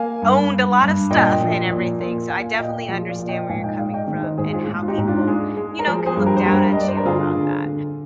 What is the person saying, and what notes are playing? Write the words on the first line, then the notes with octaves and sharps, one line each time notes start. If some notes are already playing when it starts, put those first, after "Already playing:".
owned a lotta stuff and everything, so, I definitely understand where you're coming from, and how people, you know, can look down at you about that,
Already playing: A#3 F5 G#5
G2
G2
G2
A#2 D#5 G5
F3
A#2
A#2
A#2 F5 G#5
F5
A#2 D#5 G5
F3 F4 G#4
D5 F5
A#2
D#5 G5
G#2 F5 G#5
D#5 G5
G#3 D5 F5
D#5 G5
D#3
C5 D#5
G#2 G#4 C5
F4 G#4
G#2
F4
D#4 G4
G#2
D4 F4
G#3
G#3
A#4
F3 G#4 C5
G#4 C5
G2
G4 A#4
C5
G2 G4 A#4
D#5
G2 D5
C5
A#4
D3 F4 G#4
D3
D3